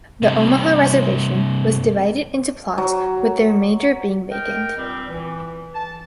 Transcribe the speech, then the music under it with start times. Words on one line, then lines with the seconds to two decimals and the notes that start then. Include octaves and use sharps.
The Omaha Reservation was divided into plots with the remainder being vacant.
0.22 G2 C3
2.78 F#3
4.30 D#4 A#4 G5
4.76 G2 A#2 G3 C4 G4
5.07 E3
5.73 A5